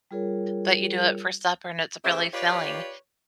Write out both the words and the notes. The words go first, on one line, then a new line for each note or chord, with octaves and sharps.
but you do it for supper and it's really filling.
G3 F4 G#4 A#4 C#5
C#3 A3 G4 C5 E5
F4 G4 B4 C#5 D5